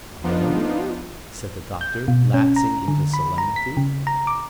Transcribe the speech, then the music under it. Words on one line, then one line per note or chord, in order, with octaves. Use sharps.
"Oh!" said the Doctor, lapsing into solemnity.
F3 B3 D4 D#4 F4
G6
B2
C#4
A#5
D3
B5
A#5
B6
C#3
A#5
D6